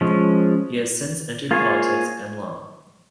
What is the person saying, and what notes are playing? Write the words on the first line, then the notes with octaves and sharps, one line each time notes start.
He has since entered politics and law.
F3 G#3 C#4
A#3 F4 G#4 C#5